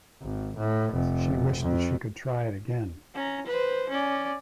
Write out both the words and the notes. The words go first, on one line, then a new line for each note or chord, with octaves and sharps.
She wished that she could try it again.
G#1
A2
F1
F2
C#4 A#5
B4 C5
C#4 D5